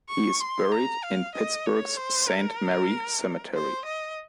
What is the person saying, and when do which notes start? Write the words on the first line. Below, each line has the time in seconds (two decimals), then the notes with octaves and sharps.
He is buried in Pittsburgh's Saint Mary Cemetery.
0.09 C#6
0.40 C6
0.72 A#5
1.03 F5
1.35 D#5
1.66 C#5
1.97 C5
2.28 A#4
3.54 C5
3.85 D#5